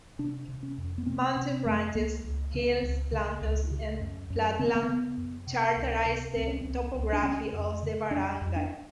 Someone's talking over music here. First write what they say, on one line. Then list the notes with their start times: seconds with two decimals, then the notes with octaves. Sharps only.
Mountain ranges, hills, plateaus, and flatland characterize the topography of the barangay.
0.19 C3 D4
0.48 C3
0.63 C#4
0.78 F2
0.98 B3
1.06 C3 C4
1.37 C3
1.65 F2 A3
1.95 C#2 A#3
2.24 C#2
2.54 C#3
2.83 C#2
3.12 C#3
3.41 C#2
3.71 C#3
4.00 F#2
4.30 F#2
4.59 C#3 C4
4.68 B3
4.75 A#3
4.83 B3
4.88 C#3
5.18 F#2
5.47 C3
5.76 C#2
6.06 C3
6.36 C#2 C4
6.48 C#4
6.61 C4
6.64 C#2
6.94 C#2
7.13 D4
7.23 C#3 C#4
7.53 F2
7.83 C#3
8.11 F2 D4
8.41 F2
8.56 D4